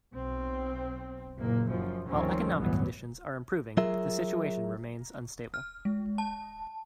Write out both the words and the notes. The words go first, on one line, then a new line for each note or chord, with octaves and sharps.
While economic conditions are improving, the situation remains unstable.
B1 C4
F#1 A#2 A#3
F#2 F3
D2 G2 D#3 F3 C4 C#4
G1 C#2 A2 E3 F#3 B3
F#3 F4 G#4 A#4 E5
F6
G#3
A5